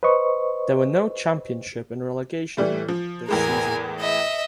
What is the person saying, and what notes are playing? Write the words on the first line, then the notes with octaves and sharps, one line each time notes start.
There were no Championship and Relegation group this season.
B4 C5 D#5 C#6
E3 G3 A3
F3
E2 A2 G#3 A#4 G#5
D#5 E5